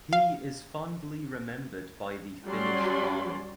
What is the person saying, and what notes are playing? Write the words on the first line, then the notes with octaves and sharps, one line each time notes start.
He is fondly remembered by the Finnish Army.
F5
F#3 G3 C#4 D5 C6